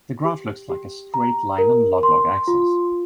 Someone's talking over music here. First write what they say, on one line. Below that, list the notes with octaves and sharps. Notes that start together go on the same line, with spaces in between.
The graph looks like a straight line on log-log axes.
G4
G4
A#5
A#4
C6
F4